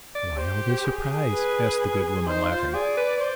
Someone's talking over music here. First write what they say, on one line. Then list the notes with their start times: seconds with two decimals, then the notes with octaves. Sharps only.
"Why all this surprise?" asked the good woman, laughing.
0.15 D5
0.38 G4 C5
0.85 G#4
1.33 B4
2.27 D#4 C5
2.51 F4
2.74 G#4 D5
2.97 B4
3.20 C5